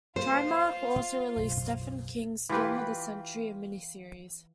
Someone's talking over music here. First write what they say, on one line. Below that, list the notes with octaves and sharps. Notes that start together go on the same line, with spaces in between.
Trimark also released Stephen King's "Storm of the Century", a miniseries.
A#3 F4 C5
F#1 B1
E3 F4 G4 B4